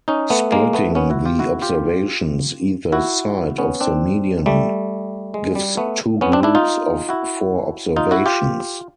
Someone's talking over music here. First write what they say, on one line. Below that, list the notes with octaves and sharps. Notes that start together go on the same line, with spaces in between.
Splitting the observations either side of the median gives two groups of four observations.
C#4 D#4
A3 B3
G#3 A#3
A3 B3
B3 C#4
E4 F#4
F4 G4
E4 F#4
F4 G4
E4 F#4
B3 C#4
C4 D4
G3 A3
G#3
G3
A3 B3
B3 C#4
C4 D4
D4 E4
D#4 F4
E4 F#4
D#4 F4
E4 F#4
F4 G4